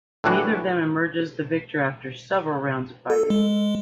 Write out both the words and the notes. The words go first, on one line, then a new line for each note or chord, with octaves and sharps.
Neither of them emerges the victor after several rounds of fighting.
A2 D3 E3 D4 F#4
A4
G#3